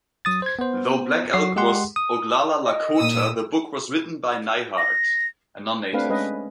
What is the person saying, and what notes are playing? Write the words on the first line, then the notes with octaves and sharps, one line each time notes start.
Though Black Elk was Oglala Lakota, the book was written by Neihardt, a non-Native.
F#3 D#6 A6
C5 G#6
B3 C5
F#3 F#4 C7
G#3 G4 G#4 F#5 C6
D#6
D#5
A#2 D#6 E6
A#6
A3 C4 D4 B4 F5
G#3 C#4 B4 D#5